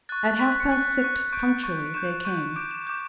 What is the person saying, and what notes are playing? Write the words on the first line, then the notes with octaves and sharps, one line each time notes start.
At half-past six punctually they came.
C#6 F#6 A6
A6
C#6 F#6 B6
B6
C#7
C#6 F#6
C#6 F#6
C#6 G6 D7
C#6 G6
C#6 G6 E7
C#6 G6
D6 G6 D7
E7
D6 G6